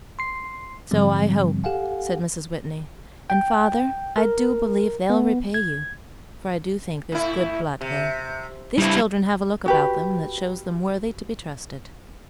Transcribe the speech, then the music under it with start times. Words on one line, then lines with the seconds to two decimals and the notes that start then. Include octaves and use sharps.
"So I hope," said Mrs. Whitney; "and father, I do believe they'll repay you; for I do think there's good blood there; these children have a look about them that shows them worthy to be trusted."
0.19 C6 C7
0.91 G#2 D3 F3 G3 C4
1.64 G4 A4 F5 F#5 G#5
3.30 G5
4.18 A#4
5.10 B3
5.54 G#6
7.12 A2 E4
7.81 C3
8.78 G2 G3 E4
9.66 F#4 G4 B4